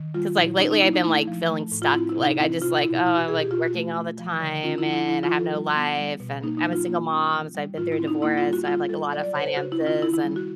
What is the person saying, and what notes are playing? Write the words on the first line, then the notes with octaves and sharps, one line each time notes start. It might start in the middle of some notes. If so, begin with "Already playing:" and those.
'Cause, like, lately, I've been, like, feeling stuck. Like, I just, "Oh, I'm, like, working all the time, and I have no life, and I'm a single mom, so I've been through a divorce. So I have, like, a lotta finances," and
Already playing: D#3
G3 F4
A#2 E4
C#4 D#4
D#4
A#3 E4
D#4
A3 E4
F3
A3
A2
F4
C4 E4
E4
C3
D#4
C4 E4
C3 F4
B2 E4
E4
B2 E4
F#4
B2 G#4
G4
B2 F4
F#4
A3
A3
F3
D3
C#4 F4
E4
F3
E4
F3 E4
F4
F3
A4
G3
B3
G3
B2
A#3 D#4
D#4
F#3
F4
A#3
C#4
E3
G3
A2 F4
E4
C4
D#4
A#3 E4
F4
G3
F#4
G3 F4
G3 A4
F#3 D5
D5
C#3 C#5
B4
C5
C#3 F#4
E4
C#4
F4
D#3 E4
E4
G3
F#4